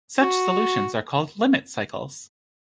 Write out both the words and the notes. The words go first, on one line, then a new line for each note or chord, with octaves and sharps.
Such solutions are called limit cycles.
F#4